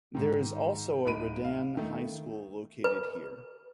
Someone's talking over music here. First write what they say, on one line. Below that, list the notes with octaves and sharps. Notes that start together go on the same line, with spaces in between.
There is also a Redan High School located here.
G#2 D#3
D1 D#4 B5 D7 D#7
F5
D#3 A3
B4